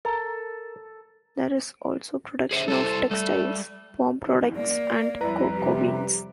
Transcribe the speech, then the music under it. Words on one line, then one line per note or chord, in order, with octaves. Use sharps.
There is also production of textiles, palm products, and cocoa beans.
A4 A#4
G#4 C5 E5
G3 E4 A4 C5
G3 A3
A#3 D5
F2 G3 E4 B4 A#5
C3 G4